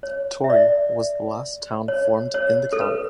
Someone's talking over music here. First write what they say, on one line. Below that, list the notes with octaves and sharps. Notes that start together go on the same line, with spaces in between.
Torrey was the last town formed in the county.
C#5
E5
D5
C#5
C#5
A4
B4